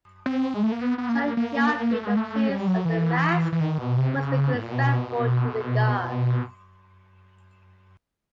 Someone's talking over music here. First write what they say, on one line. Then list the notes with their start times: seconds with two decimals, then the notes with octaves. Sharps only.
Surely, he argue, the plays and the masks must be disrespectful to the gods.
0.26 C4
0.54 G#3
0.63 A3
0.72 A#3
0.81 B3
0.98 B3
1.09 A#3
1.37 A#3
1.93 A3
2.05 G#3
2.17 A3
2.49 G3
2.67 F#3
2.85 E3
3.52 E3
3.60 D#3
3.78 B2
3.98 C3
4.16 C#3
4.55 A2
4.63 A#2
4.72 B2